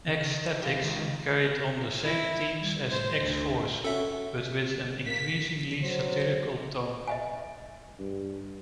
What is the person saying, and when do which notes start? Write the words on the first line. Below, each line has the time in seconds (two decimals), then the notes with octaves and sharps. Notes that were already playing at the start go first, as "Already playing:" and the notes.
"X-Statix" carried on the same themes as "X-Force", but with an increasingly satirical tone.
0.07 C#3
0.25 D#3
0.63 G4 F5
0.84 C#2 D#3
2.03 E4
2.60 G3
2.89 A2 C5
3.20 D2
3.84 C#4 F#4 A4 E5
5.06 A#3 B6
5.82 F#3 C5
7.07 D#5 E5 G#5
7.99 G2